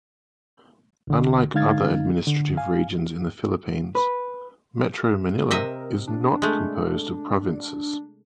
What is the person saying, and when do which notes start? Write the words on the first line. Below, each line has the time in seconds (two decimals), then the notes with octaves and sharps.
Unlike other administrative regions in the Philippines, Metro Manila is not composed of provinces.
1.07 C2 D3
1.54 D3 G#3 D#4 F5 G#6 A6
2.27 D3
2.57 F5 G#5
3.95 B4
5.51 C3 A#4 D#5 E5
6.07 D4
6.42 G#3 A3